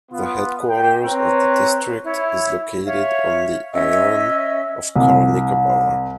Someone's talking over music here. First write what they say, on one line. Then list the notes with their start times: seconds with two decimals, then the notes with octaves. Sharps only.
The headquarters of the district is located on the island of Car Nicobar.
0.11 B3 F4
0.68 G5
1.05 C4 B4 C#5 A#5
2.03 E4 C#5
2.85 C#5 E5 F5
3.73 C#4 D#5 E5 E6
4.96 C2